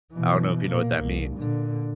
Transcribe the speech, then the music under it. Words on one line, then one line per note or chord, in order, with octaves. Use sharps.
I don't know if you know what that means
B2 E3
A#2 A#3
C2
A#2 D3